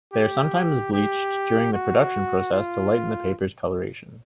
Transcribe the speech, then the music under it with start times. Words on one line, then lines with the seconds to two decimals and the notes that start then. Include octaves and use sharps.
They are sometimes bleached during the production process to lighten the paper's coloration.
0.13 G4
0.93 G4
1.73 F#4
2.53 F4